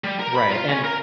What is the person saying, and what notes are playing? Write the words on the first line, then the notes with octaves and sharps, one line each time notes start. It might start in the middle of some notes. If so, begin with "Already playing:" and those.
Right, and,
G3
A#4
B5
F4
C#4
A#4